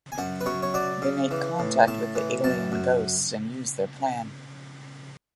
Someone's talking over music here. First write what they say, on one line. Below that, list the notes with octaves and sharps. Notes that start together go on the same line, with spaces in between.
They make contact with the alien "ghosts" and use their plan.
G#5
F#2 F#5
B4
F#2 C#5
C#5
F#3 D5
C#3
E3
A2
A2 A5
E3
F#2 A5
F#2